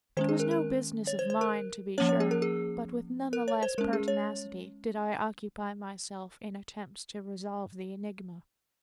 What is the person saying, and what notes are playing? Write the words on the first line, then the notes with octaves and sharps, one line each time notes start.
It was no business of mine, to be sure, but with none the less pertinacity did I occupy myself in attempts to resolve the enigma.
D#3 G#3 C#4 C5
G#4
A#4
A#4
C#5
C5
C5
A#4
F3 A#3 C#4 C#5
C#5
G#4
A#4
G#4
A#4
C#5
C5
G#3 C#4 A#4
G#4
C#5